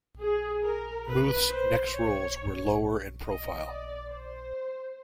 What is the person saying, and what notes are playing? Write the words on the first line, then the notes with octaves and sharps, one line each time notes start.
Muth's next roles were lower in profile.
G#4
A#4
B4
C5
C#5
D#5
D5
C5